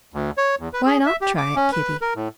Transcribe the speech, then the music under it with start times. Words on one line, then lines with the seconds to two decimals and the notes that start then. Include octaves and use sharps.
Why not try it, Kitty?
0.14 D2
0.38 C#5
0.59 E2
0.73 B4
0.86 G#4
1.06 E5
1.21 G4
1.38 D6
1.56 C#4
1.72 B4
2.01 A#4
2.16 A2